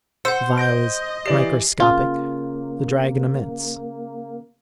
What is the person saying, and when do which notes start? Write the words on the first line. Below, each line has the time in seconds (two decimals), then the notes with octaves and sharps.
The phial is microscopic, the dragon immense.
0.25 C5 F#5 E6 C#7
0.58 D#5 G6 A#6 D7
1.26 E3 G4 D5 C7
1.80 C#3 A#3 F4